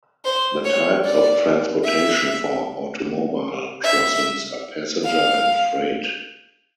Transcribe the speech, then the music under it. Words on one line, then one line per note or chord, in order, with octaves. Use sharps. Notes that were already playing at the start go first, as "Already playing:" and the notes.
The types of transportation for automobile crossings are passenger and freight.
C5
C#5
D5
E5
E5
F5